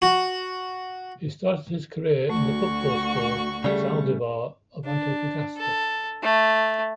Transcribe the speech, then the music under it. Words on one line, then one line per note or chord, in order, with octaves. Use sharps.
He started his career in the Football School Zaldívar of Antofagasta.
F#4
D2 A3 F#4 C#6
C#3 G3 A3 G#4 D5
D4
A4
A3